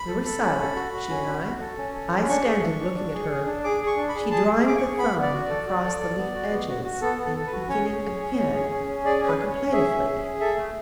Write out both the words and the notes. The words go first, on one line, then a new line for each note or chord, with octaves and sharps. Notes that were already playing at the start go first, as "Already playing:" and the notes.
We were silent, she and I; I standing, looking at her, she drawing the thumb across the leaf-edges, and beginning again, contemplatively.
Already playing: B5
A4
A4
C#4
A4
F#4
F#4
C#4
F#4
F#4
A4
C#4
A4
C#4
D4 C#6
G#4
D4
D4
D4
G#4
G#4
D4
G#4 D6
G#4
C#6
D4
B5
G#4
G#4 A5
G#4
G#4 D6
G#4 C#6
B3 B5
B3
D5
F#4
D5
A4
F#4
A4
A4
B3
F#4
B3
F#4
F#4
B3 A4
B3
A4
A4
B4
F#4
C#4 C#5
G#4
C#4
C#4
C#4
G#4
C#4
C#4
G#4 D5
C#4
B4
C#4
C#5
C#4
G#4 E5
C#4
G#4
G#4
A4 E5
A3